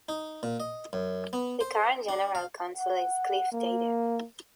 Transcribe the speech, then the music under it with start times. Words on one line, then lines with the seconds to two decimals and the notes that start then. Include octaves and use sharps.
The current General Counsel is Cliff Tatum.
0.09 D#4
0.43 A#2
0.60 D#5
0.93 F#2
1.33 B3
1.61 C5
2.09 D4
2.35 F5
2.77 F#5
3.52 A#3